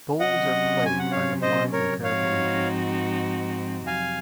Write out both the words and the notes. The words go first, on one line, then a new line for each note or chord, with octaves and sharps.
Bowls are played by the blind and paraplegic.
C3 F#3 C#4 D#5 F#5
G#5
F#5
C#5 F5
C5 D#5
A#4 C#5
G#2 F3 C4 D#4 F#4 C#5 F5
F2 C3 F#3 F5 G#5